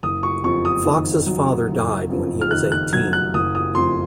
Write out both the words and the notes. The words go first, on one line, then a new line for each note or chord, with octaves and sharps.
Fox's father died when he was eighteen.
F#1 D#6
C#6
F2 C#6
D#6
D#3
F#3
F#1
F2
F6
D#3 F#6
F#6
F#3 G#6
F#6
F#1 D#6
D#6
F2 C6